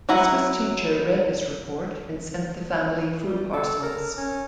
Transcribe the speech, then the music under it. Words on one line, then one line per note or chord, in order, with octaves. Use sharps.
A Swiss teacher read this report and sent the family food parcels.
F#3 E4 B4 F#5 A#5
G3
A4
A#4
C#4